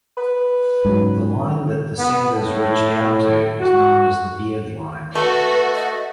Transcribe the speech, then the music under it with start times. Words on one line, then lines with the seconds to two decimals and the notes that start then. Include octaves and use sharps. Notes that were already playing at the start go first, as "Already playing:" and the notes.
The line that descenders reach down to is known as the beard line.
0.17 B4
0.85 G#2 C#3 F#3
1.98 B3
2.34 A2
3.61 F#4
5.15 A3 F#4 B4
5.75 D#5